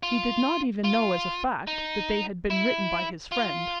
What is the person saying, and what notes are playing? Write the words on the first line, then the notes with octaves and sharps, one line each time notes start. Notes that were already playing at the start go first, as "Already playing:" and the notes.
He did not even know, as a fact, that they had been written by his friend.
F4
F4
D#4
E4
F4